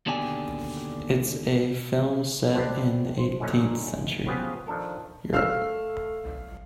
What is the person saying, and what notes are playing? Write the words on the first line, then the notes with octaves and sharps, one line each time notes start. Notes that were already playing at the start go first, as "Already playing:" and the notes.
It's a film set in eighteenth century Europe.
D#2 B2 D3 D4 G4 G#5
D3 B3 C4 D4 G4
C5
F#2 A#2 D3 F#3 C#4 D#4
C#3 F3 B3 G4 G#4
D#3 F3 D4 A4 A#4
A3 F5 E6 F6